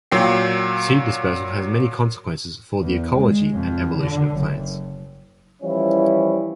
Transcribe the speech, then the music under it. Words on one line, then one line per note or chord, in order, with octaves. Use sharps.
Seed dispersal has many consequences for the ecology and evolution of plants.
A#2 F#3 G5 C7
E2
G#3
F2
D3
F#1
E3 F3 G3 C#4 E4